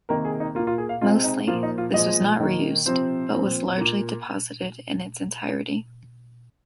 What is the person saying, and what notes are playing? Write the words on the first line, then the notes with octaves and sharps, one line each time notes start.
Mostly, this was not reused, but was largely deposited in its entirety.
C3 D#3 A#3 A#4
G#4
D#4
A#2 A#3 F4
F4
G#4
F5
C3 G#3 C4 F4
D#4
A#2 F3 A#3 F4
D#4
F4
A#2 F3 G#3 D#5
D#3 A#3
C3 F3 C4 C5
A#2 F3 C4
A#2 A#3